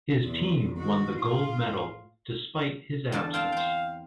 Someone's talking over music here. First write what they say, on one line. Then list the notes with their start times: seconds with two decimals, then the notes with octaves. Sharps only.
His team won the gold medal despite his absence.
0.24 E2 C3
0.78 D#3 F#4
1.19 A2 F4
3.12 E2 D3 A5
3.34 C4 F5 G5 A5
3.52 C5 G5